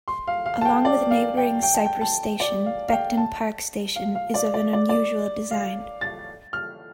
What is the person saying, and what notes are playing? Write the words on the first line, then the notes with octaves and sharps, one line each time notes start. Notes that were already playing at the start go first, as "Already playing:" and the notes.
Along with neighbouring Cyprus station, Beckton Park station is of an unusual design.
C6
F5
F5
A5
G5
D5
F5
G5
G5
A5
G5
A5
D5
F5
F5
G5
A5
F5
F5
D5
D5
D5
D5
F5
A6
F6